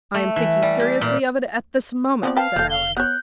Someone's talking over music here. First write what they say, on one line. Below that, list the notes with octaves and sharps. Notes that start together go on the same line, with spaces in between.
"I am thinking seriously of it at this moment," said Allan.
A3
E3
G3
G4
A#2
F3 B3 C4 D5
B4 F5 G5 A5
F1 A#3 A4 G6
F5 G7
B3 C#5 F#6 G6